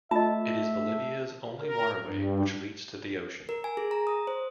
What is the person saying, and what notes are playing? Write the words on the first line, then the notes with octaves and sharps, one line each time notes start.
It is Bolivia's only waterway which leads to the ocean.
A3 F4 D#5 E5 A5
A#4
G2
A#4
G#5
G#4
A#5
D#6
C5